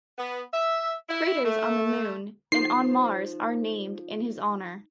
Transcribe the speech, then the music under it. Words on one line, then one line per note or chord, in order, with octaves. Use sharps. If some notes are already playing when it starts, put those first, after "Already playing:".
Craters on the moon and on Mars are named in his honor.
B3
E5
E4
A3
F3 D#4 F4 C7